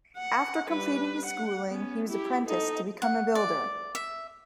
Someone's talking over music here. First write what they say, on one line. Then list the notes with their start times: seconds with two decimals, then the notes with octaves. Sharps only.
After completing his schooling, he was apprenticed to become a builder.
0.17 F#5
0.69 G3 B4
1.26 F#5
1.69 B3 C#4
2.08 E4 G4
2.46 D#4 A4
3.02 F#5
3.35 D5
3.95 E5